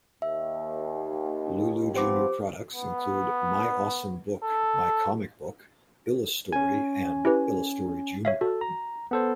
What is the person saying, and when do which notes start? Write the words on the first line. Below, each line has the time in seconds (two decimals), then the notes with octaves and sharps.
Lulu Junior products include My Awesome Book, My Comic Book, IlluStory, and IlluStory Junior.
0.22 D#2 E5
1.94 F3 B3 C4 G4 C5 D6
2.73 B3
4.43 A4
6.52 C#4 G#5
7.25 E4 G4 B4
8.25 C#5 E5 F5
8.41 F#4 A4
8.61 A#5
9.11 B3 A4 C5